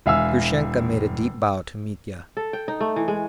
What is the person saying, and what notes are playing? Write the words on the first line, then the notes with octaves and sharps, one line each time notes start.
Grushenka made a deep bow to Mitya.
E1 E5 F5 G#5 E6
A4
G5
D#4
A3
E3
G#3